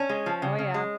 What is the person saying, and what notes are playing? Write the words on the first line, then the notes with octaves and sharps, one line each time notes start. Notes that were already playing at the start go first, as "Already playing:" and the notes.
Oh, yeah.
Already playing: C#4
G#3
F3
C#3
C#3
G#3